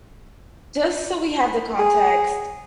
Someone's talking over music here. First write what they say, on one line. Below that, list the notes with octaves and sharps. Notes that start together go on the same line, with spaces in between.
just so we have the context,
G#4